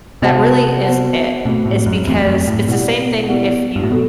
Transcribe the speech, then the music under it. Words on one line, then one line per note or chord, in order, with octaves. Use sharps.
That really is it. It's because it's the same thing if you,
C3 B3 F#4 C5 F#5 A5
B3 F#4 C5 F#5 A5
B2 A3 C4 F#4
A2
F#2
E2 A3 C4 F#4
F#2
A2
B2 B3 E4 G4 D5 F#5
B3 E4 G4 D5 F#5
G2
A2
B2 B3 F#4 A4